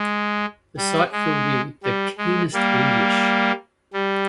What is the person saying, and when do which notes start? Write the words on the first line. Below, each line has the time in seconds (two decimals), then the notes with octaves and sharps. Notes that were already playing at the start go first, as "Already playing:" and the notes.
The sight filled me with the keenest anguish.
Already playing: G#3
0.77 G3
1.12 G#3
1.83 G3
2.18 G#3
2.53 G3 A#3
3.93 G3